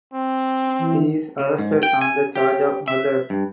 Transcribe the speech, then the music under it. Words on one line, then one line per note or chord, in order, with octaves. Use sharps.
He is arrested on the charge of murder.
C4
E3
C#3
G#2
G5
G#5
G4
E5
G2